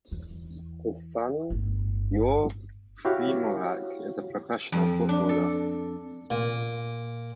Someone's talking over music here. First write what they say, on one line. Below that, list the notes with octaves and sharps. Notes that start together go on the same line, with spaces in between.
His son Jure Primorac is a professional footballer.
E2 E3
G1 A2
E4 F#4 G4 C#5 F5
F2
D4
A4
A#2